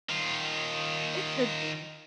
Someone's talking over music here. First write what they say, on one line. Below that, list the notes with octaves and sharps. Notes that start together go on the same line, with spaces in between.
It could be.
D#3 F4